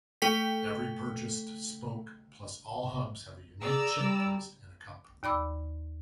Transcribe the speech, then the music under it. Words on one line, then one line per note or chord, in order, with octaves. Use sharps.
Every purchased spoke, plus all hubs, have a unique chit placed in a cup.
A3 A4 G5 B6
G#4 D5 A#5 E6
G3
D#2 D5 B5 D6 E6